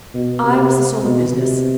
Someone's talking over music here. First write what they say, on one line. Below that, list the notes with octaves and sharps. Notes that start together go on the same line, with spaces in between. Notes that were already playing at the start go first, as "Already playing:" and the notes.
I was the soul of business.
B2
C3
B2
C3